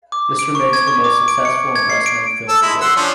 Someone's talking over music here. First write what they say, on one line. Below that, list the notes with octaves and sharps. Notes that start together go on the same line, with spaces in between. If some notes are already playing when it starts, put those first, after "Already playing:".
This remains her most successful and best known film to date.
D6
D7
C#6
G#6
C#6
D6
D7
C#7
G#6
C7
D7
A4 E6
G#3 E4
F#5 C6 E6
F3 C#4 D4